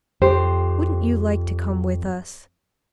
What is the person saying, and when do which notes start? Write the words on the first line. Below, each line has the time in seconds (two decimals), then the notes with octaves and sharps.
Wouldn't you like to come with us?'
0.22 F2 G4 C5